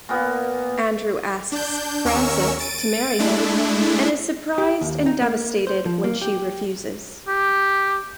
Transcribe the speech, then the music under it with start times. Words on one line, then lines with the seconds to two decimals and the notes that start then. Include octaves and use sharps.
Andrew asks Frances to marry him, and is surprised and devastated when she refuses.
0.09 A#2 A#3 B3
1.52 D4 G6
2.05 D#2 C#4 A#4 C#6 E6
2.58 A6 D7 D#7
3.19 G#3 A3 D4 E4
4.58 G4
4.81 D#2
5.06 D#4
5.22 A#3
5.67 C5
5.85 F3
6.04 A#3
6.21 G4
7.28 G4